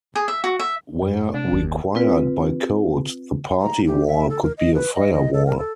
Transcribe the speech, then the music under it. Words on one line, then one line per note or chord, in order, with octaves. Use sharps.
Where required by code, the party wall could be a firewall.
G#4
E5
F#4
E5
F#2
C3 D4
F#1 D#2
C4 F4 B4
A#5
G4
E5
A4
A#4
D#5
B4
D#5
D#5
A4
A#4
A4